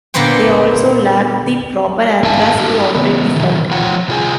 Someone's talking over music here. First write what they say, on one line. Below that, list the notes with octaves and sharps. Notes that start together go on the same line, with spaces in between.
They also lacked the proper aircraft to operate the flight.
A#2 D3 A#3 B3 C5 G5
G2 G4 E5 F5 G#5 A5
F#4 G4 A4 A#4
C#3 E3 B3
B2 D#3 E3
F3 F4 C#5 F#5 G5
C3 F4 G#4 G#5